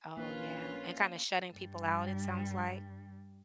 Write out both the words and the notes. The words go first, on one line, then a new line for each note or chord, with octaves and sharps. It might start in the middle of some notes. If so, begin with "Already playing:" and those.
Oh, yeah, and kinda shutting people out, it sounds like.
A#1 A#3 C#4 F4 B4
G2 G3